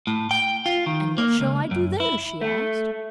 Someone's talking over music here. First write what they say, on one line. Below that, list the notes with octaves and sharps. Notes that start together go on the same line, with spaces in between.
'And what shall I do there?' she asked.
A2
G5
F4
D#3
A#3
C#2
F#2
E4
A3